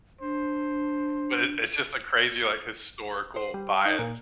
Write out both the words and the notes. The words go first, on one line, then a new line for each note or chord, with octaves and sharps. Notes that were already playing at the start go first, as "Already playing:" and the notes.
But it it's just a crazy, like, historical bias.
D4 C5
C5
G3
D#4
A#2